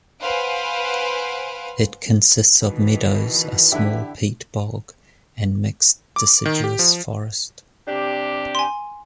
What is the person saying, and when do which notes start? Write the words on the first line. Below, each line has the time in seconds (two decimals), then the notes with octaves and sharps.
It consists of meadows, a small peat bog and mixed deciduous forest.
0.21 B4 C5 F5 F#5 G#5 D7
2.61 B2 D#3 E3
3.72 D3 E4 G4 B4 E5
6.16 D6
6.45 D#3
6.64 G4
6.79 F3
7.88 C3 D4 G4
8.55 G#5 C6